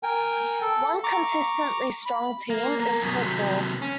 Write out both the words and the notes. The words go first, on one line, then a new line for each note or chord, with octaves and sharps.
One consistently strong team is football.
A#4 G5 G#5
A4
A#5 C#6 D6
B5
A#3
B3 A#4
F#2 B2
C3 F#3
C#4